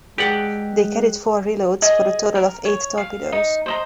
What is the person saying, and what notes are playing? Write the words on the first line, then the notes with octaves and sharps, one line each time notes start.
They carried four reloads, for a total of eight torpedoes.
G#3 G4 G#4 B4 D5 F#5 G5
G#4 D#5 G#5 D#6
A#4
C#5
F5
D#4 D#6
C5 D#5 A#5